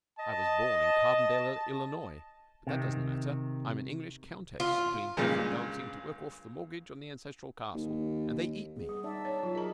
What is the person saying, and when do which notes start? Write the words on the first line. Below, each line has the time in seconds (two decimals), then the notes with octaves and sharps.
I was born in Carbondale, Illinois, but that doesn't matter--I'm an English countess, doing barefoot dancing to work off the mortgage on the ancestral castle, and they eat me.
0.19 D#5 A5
2.67 C3 D#3
4.60 F4
5.17 G2 A#2 C#3 G3 G#3
7.74 D#2
8.77 B3 G#4
8.89 G3
9.04 D#4 D5 E5 A5
9.25 C#5
9.43 F#3 F4
9.55 G#4 A#4 D#5 A#5